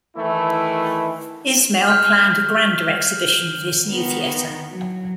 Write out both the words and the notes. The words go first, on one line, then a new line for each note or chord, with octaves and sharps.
Ismail planned a grander exhibition for his new theatre.
D#3 E3 A3 E4
F6 G6
D#3 B3
F#3